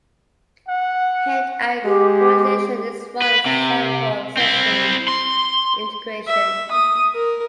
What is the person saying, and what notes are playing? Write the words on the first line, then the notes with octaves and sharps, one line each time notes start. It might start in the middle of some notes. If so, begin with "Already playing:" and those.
Hand eye coordination is one example of sensory integration.
F#5
G#3 G4
B4
C3
C4 E4
C6
E5
D#6
A#4